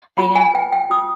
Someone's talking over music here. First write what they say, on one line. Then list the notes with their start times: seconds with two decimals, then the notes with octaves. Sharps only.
I know.
0.18 F4 B5
0.35 G#5
0.54 B4 G5
0.72 G5
0.90 F4 D#6